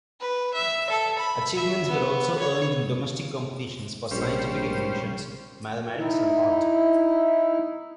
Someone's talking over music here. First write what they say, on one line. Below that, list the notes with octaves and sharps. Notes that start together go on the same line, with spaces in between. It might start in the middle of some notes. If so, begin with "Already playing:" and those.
Achievements were also earned in domestic competitions for scientific inventions, mathematics and art.
B4
E5
A4
B5
E5
B3
C#5
A#1 G3 C#4 C5
D#4 E4